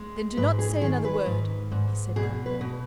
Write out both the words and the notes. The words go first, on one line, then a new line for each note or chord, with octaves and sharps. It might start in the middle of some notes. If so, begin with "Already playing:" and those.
"Then do not say another word," he said, promptly.
Already playing: G#3
G#2 B4
G#4
D#3 G#4
B4
G#2
G#2
B2 G#4
B4
B2